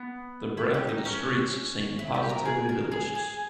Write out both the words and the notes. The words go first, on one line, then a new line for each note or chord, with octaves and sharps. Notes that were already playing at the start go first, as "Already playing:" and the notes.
The breath of the streets seemed positively delicious.
Already playing: B3
E4
G4
D#4
C#4
E4
G4
A#4
G#4
A#4
G#4
G#4